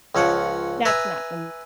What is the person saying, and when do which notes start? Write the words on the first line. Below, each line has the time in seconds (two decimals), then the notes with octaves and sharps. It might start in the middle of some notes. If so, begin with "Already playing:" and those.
that's not for
0.15 C#2 F3 C#5 F#5
0.85 B4 E5 G#5 A#5